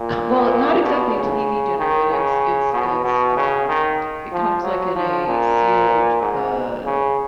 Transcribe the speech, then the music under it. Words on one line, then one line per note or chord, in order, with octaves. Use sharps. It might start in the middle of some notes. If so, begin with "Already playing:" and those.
Come well, not exactly TV dinner, but it's it's it's, um, it comes, like, in a sealed, uh,
Already playing: A#2
B2
C#3
D#3
C#3
B2
B2
C#3
D#3
F3
F#3
F3
A#2
G#2
C#3